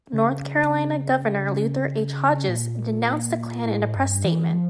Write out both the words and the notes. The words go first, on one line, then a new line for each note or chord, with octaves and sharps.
North Carolina Governor Luther H. Hodges denounced the Klan in a press statement.
C#3
A#2
A2
G2
E3
F3